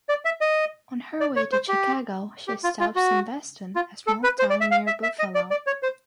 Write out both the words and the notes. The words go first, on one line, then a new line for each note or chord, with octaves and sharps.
On her way to Chicago she stops in Beston, a small town near Buffalo.
D5
E5
D#5
D5
C#5
C5
G4
G4
F4
F4
F#4
F4
A4
B4
C5
D5
E5
F5
E5
E5
D#5
D5
D5
C#5
C5